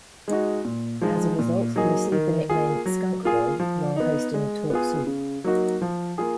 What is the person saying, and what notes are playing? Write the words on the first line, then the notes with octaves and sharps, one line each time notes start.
As a result, he received the nickname "Skunk Boy" while hosting "Talk Soup".
G#3 D#4 F#4
A#2
F3 G#3 D#4
A#2
F#3 A#3 D#4 G#4
D#3
A#3 F4 G#4
F#3
A#3 F4 G#4
F3
B3 D#4
G#3
B3 F4 G#4
C#3
F#3 A#3 D#4 F#4
F3
A#3 F4 G#4